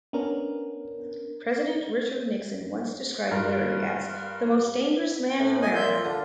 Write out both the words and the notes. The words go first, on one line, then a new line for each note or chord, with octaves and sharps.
President Richard Nixon once described Leary as "the most dangerous man in America".
B3 C#4 D4 A#4
G2 F4 A#4
A2
D#5 G#5
A#2 E5 G6
F4
D3